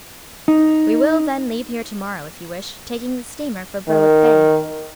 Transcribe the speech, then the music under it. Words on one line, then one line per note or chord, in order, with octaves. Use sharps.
We Will, then, leave here to-morrow, if you wish, taking the steamer for Berwick Bay.
D#4
D#3